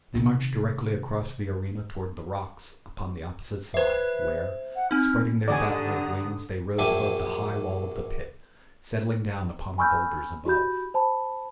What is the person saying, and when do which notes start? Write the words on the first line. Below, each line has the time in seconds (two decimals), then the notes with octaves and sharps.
They marched directly across the arena toward the rocks upon the opposite side, where, spreading their bat-like wings, they rose above the high wall of the pit, settling down upon the bowlders above.
0.15 C3 D#3
3.74 B4 C5 E5
4.76 F#5
4.91 C4 D#4 F6
5.48 D3 F#4 G4 D5 F#5 G#5 A#5 D#6
6.79 A#1 F#2 D4 E5 G5 G#5
9.78 G#5 B5 C#6 E6 F6 G6
10.45 E4 F#4 G4 B5 G6
10.94 C5 A5 B5